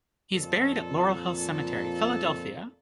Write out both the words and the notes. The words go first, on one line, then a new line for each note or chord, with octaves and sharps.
He is buried at Laurel Hill Cemetery, Philadelphia.
F2 A#2 A4